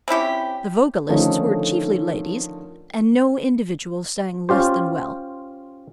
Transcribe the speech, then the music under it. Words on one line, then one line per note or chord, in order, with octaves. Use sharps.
The vocalists were chiefly ladies, and no individual sang less than well.
C4 C#4 E4 G4
D3 D#3 F3 A3 C#4 D#4
C#4 F4 G4 C5